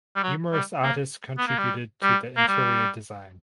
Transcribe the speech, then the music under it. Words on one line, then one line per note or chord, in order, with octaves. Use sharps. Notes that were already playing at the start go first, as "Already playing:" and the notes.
Numerous artists contributed to the interior design.
G3
F#3
G3
A#3
B3
A#3
G3
G3
A#3
G3